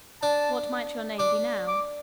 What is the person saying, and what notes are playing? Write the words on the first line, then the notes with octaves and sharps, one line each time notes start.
"What might your name be, now?"
D4 A5
D4 D6
D6